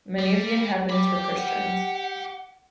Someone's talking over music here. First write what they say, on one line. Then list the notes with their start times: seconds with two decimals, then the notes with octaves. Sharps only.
Many of the inhabitants were Christians.
0.19 G3
0.90 G4 B5 D6
1.37 F#5